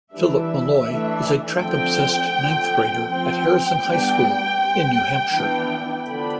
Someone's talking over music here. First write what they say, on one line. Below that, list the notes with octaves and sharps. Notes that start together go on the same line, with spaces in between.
Philip Malloy is a track-obsessed ninth grader at Harrison High School in New Hampshire.
E3 G3 D4 E5
E3 A3 D4
D3 F3 C4 G5
D3 F3 C4
F3 C4 G5
G3 B3 D4
G3 C4
E3 B3 D4
D3 F3 B3 D4 B5